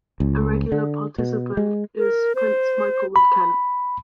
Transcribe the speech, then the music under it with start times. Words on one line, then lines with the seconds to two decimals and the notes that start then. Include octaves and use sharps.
A regular participant is Prince Michael of Kent.
0.20 C#2
0.72 D3
1.18 B2
1.57 G#3
1.98 A#4
2.35 C5
3.16 B5